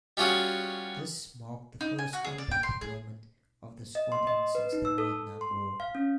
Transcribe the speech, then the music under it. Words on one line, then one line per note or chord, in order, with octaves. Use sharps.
This marked the first combat deployment of the squadron since the Vietnam War.
G3 C#4 F4 F#4 G#4
D#4
G#5
F#4
G#4
D5
G5
C6
G#4
D#5
C6
D#5
B4
D#4
E6
A4
C6
F5
C#4